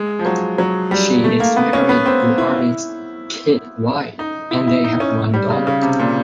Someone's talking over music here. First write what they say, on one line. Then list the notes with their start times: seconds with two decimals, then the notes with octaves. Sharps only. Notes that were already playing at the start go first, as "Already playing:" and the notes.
She is married to artist Kit White and they have one daughter.
Already playing: G#3
0.19 F3
0.25 F#3
0.58 F#3
0.91 G3
1.24 A3
1.40 A#3
1.56 B3
1.73 C#4
1.89 B3
2.06 C4
2.38 E4
4.19 D#4
4.51 E4
4.67 E4
4.84 D#4
5.00 C#4
5.34 G3
5.50 C#3
5.67 C#3
5.82 C3
5.99 A#2